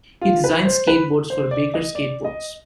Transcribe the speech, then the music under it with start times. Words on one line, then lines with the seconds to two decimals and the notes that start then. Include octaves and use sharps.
He designed skateboards for Baker Skateboards.
0.21 F4
0.44 B4
0.65 C5
0.87 B4
1.30 C5
1.51 D5
1.74 D#5
1.95 D5
2.24 D#5